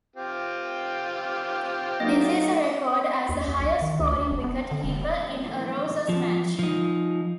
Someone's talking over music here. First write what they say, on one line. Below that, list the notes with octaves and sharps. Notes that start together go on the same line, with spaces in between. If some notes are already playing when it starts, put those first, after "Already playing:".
This is a record as the highest scoring wicket keeper in a Roses match.
C4 F4 G4
F#3 A3 D#4 D#5
D#2
D#2
B1
D#3
D2
D2
F1
B3
D3
E1
F3
F3 D#4